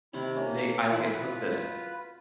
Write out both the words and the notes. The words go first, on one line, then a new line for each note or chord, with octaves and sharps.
they I will get hooked in it,
C3 D#3 E4 B5
A#3 C#4
E3 C4 B5
F4 F#4 B4